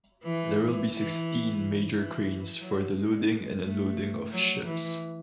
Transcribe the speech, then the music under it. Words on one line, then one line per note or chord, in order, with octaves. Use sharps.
There will be sixteen major cranes for the loading and unloading of ships.
E3
E3
E3
F#3
G#3
A3
F#3
E3